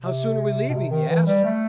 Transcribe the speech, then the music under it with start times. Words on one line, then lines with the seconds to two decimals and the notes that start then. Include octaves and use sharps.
"How soon are we leaving?" he asked.
0.02 C3
0.69 B2
0.74 C3
0.91 D#3
1.09 E3
1.27 G3
1.44 A3